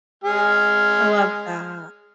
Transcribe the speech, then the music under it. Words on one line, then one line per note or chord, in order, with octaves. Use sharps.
I love that.
G#3 G#4 F6